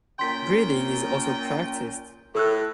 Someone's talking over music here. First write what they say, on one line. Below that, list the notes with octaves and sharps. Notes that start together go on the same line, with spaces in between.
Breeding is also practiced.
A#2 C#4 G5 C6 B6
A2 A4 E6 F#6